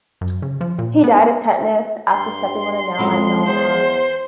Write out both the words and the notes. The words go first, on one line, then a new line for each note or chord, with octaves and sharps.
He died of tetanus after stepping on a nail at Knowle House.
F#2
C#3
F3
A#2
B3
G2 C6
F2 G#3 C#4 E4
E2 C5